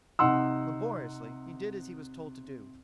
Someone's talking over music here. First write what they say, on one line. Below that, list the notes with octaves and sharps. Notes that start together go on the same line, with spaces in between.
Laboriously, he did as he was told to do.
C3 D#4 F#5 C6 E6